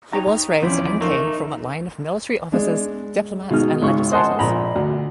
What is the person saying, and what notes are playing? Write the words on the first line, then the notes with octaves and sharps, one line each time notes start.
He was raised and came from a line of military officers, diplomats, and legislators.
D#4 F#4 G4 C#5 A#5
E2 F3 C4 C#4 E4 F4 D5
A3 A#3 D#4 F4 A#4
G#3 D4
B2 G#3 D#4 F6
G#1 C#2 C#6
C5 D#5 F#5 G#5 A5 C6
A#1 A#5 B5
D2